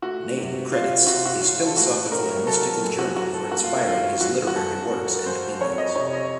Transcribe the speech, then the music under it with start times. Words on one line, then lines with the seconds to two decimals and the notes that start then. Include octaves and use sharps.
Naim credits his philosophical and mystical journey for inspiring his literary works and opinions.
0.02 A3 F#4
0.38 C3
0.72 C3 F4
1.07 C3 F#4
1.16 F4
1.26 F#4
1.41 C#4 F4
1.66 A4
1.77 A2 F#4
2.12 C#4 A#4
2.46 F#3 A4
2.53 A#4
2.61 A4
2.81 F#2
2.99 F#4
3.16 F#2 F#4
3.34 A4
3.51 A#3 F#4
3.64 F4
3.86 D#3 F4
4.21 F#2 F#4
4.47 F#4
4.56 F#2 A4
4.91 F#2 A#4
5.26 F#2 C5
5.61 F2 C#5
5.78 D#5
5.95 C3 C#5
6.13 D#5